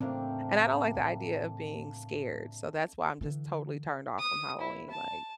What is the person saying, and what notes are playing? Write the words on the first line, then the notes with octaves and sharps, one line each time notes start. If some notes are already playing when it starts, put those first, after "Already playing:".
and, I don't, like, the idea of being scared, so, that's why I'm just totally turned off from Halloween, like,
A2 C#3 E3 A3 A#3 C4 D4
D3 E3
D#6
E4
A5